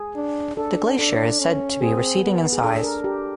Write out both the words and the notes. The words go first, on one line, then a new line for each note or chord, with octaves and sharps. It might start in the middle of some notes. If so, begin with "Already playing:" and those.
The glacier is said to be receding in size.
Already playing: G#4
D4
D4 A4
D4 A4
C#4
C4 G#4
B3
G#4
D4 A4
A#4
G4